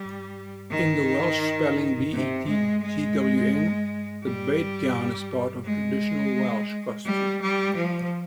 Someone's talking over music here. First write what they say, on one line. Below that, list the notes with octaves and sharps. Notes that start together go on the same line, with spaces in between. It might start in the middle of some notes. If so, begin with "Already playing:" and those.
In the Welsh spelling "betgwn", the bedgown is part of traditional Welsh costume.
Already playing: G3
D#3
C3
G#3
G#3
G3
G#3
G3
G3
F3